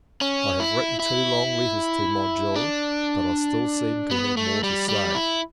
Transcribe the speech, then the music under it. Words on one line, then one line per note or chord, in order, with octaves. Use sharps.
I have written two long letters to my jewel, but I still seem to have more to say.
C#4
E4
E4
D4
B3
A3
G3
G3
E4